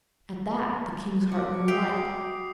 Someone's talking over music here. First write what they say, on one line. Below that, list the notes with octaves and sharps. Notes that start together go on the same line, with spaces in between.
At that the king's heart grew light.
F#4 D6
E5 G5 D#6 C7 F7